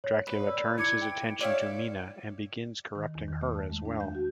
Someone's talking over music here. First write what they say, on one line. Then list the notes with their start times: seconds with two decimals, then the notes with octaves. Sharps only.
Dracula turns his attention to Mina and begins corrupting her as well.
0.04 C#5
0.27 B4
0.47 D5 E6
0.78 E4 D6 G#6 C#7
1.01 G5
1.41 C#5 D5 E5 F5
2.95 D#3
3.15 E2
3.28 D#3
3.41 A3
3.55 A5
3.70 G#3
3.85 D4
4.00 G6
4.15 F#4